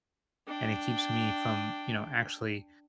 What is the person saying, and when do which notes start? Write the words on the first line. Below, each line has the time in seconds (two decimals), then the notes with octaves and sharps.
and it keeps me from, you know, actually
0.47 D4 G5